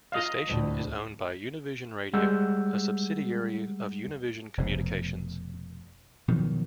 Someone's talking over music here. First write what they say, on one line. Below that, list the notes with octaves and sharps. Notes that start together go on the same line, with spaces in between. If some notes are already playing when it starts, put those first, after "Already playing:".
The station is owned by Univision Radio, a subsidiary of Univision Communications.
F4 D#5 F5
D2 A2
G3 G#3 F#5 E6 G6
F1 B2
B2 D#3 F3 F#3